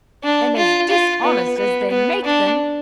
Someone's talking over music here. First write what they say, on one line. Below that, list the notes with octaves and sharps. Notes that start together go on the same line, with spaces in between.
'And as dishonest as they make them.'
D4
F4
F4
B3
B3
B3
D4